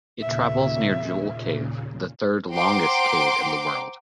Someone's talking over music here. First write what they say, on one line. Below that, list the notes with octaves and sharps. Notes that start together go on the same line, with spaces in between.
It travels near Jewel Cave, the third-longest cave in the world.
D#2 A#2 C#3 E5
C5 F#5 G5 A#5 C6 D6